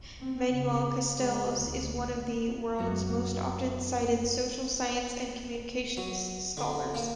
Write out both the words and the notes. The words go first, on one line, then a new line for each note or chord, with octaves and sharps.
Manuel Castells is one of the world's most often-cited social science and communications scholars.
C4
C#3
G#3
D2
F#2 B3 F#4
F#3
D3
A#3